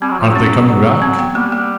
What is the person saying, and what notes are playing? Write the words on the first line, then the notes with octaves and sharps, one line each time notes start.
"Aren't they coming back?"
G3 C4
F#3
F3
F#3
C#4
F#3
C4
B3
G3 A#3
A#3